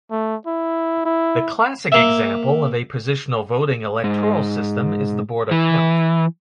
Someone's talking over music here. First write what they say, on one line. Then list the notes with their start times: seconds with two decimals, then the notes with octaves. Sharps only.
The classic example of a positional voting electoral system is the Borda count.
0.11 A3
0.47 E4
1.05 E4
1.92 A#3 E5
4.04 G#2
5.51 E3